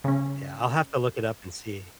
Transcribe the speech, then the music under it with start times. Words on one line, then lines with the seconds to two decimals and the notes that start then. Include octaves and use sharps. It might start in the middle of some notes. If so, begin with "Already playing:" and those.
Yeah, I'll have to look it up and see.
0.04 C#3 C#4